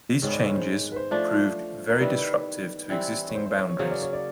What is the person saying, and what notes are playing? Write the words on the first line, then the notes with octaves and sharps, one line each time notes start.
These changes proved very disruptive to existing boundaries.
G#2 D#3 G#3 B3 C#5
D5
C#5
C5
C#5
B4
C5
F3 A3 D4
A#4
D#3 G3 B3 E4 B4
E3 G3 C4 E4
C#5
C5
C5
C#5
C#5
C#3 F#3 A#3 C5
D5
C#5
D5